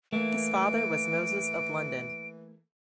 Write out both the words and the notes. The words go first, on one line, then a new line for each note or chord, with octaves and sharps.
His father was Moses of London.
E3 A3 A#3 D7